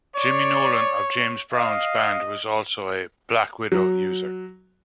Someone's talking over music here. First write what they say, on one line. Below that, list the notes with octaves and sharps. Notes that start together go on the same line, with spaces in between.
Jimmy Nolen of James Brown's band was also a "Black Widow" user.
C#5 D5
D#5 F5
F#3